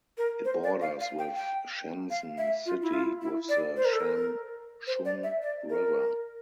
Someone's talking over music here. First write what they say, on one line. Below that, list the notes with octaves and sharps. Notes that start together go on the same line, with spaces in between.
It borders with Shenzhen city with the Sham Chun River.
A#4
C5
D5
F5
F5
G5
G5
F5
E5
F4
E4
F4
E4
D5
C5
A#4
A4
A#4
C5
D5
E5
D5
A#4